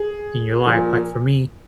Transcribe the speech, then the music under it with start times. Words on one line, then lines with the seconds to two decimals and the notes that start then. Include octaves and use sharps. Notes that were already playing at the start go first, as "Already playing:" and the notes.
in your life, like, for me,
Already playing: G#4
0.65 A#2 F3 A#3